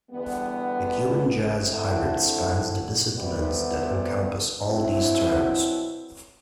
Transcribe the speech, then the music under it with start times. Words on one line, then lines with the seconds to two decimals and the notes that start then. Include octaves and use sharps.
The Cuban-jazz hybrid spans the disciplines that encompass all these terms.
0.11 E2 D3 G3 B3
1.62 D3 A3 C4 E4
3.14 D2 C3 G3 B3
4.66 B2 F#3 C4 E4